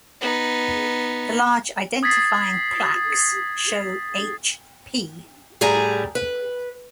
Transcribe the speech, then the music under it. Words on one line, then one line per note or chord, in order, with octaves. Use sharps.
The large identifying plaques show "H P".
B3 D#4
D#6 G#6 A6 B6 C7
A2 G3 G#4 G#5 A#5
B4